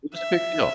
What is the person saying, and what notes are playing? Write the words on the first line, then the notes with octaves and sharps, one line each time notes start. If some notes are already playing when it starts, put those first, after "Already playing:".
It was a big deal.
E5